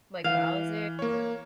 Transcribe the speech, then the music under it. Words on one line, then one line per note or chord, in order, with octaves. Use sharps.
like, Bowser,
E3 F5
A#3 C#5